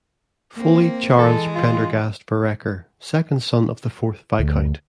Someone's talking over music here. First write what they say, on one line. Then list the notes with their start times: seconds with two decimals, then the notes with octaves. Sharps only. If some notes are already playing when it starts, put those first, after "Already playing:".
Foley Charles Prendergast Vereker, second son of the fourth Viscount.
0.57 A#3 C4
1.19 E3 G#3 A4
1.55 F4
4.39 D2